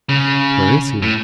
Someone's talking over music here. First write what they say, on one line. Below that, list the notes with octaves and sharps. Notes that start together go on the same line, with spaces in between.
"Where is he?"
C#3
A2